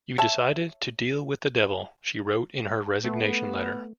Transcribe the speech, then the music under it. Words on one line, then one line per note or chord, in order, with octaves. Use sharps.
"You decided to deal with the devil", she wrote in her resignation letter.
C#5 E5 A5
A3 B3